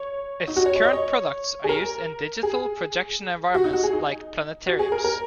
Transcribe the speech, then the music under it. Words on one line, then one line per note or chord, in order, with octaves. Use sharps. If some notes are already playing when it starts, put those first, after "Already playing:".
Its current products are used in digital projection environments like planetariums.
Already playing: C#5
D#4
F#4
C#5
C#5
D#5
C#5
G#4
A#4
G#4
F#4
D#4
F#4
G#4
D#4
F#4
G#4
A#4
A#4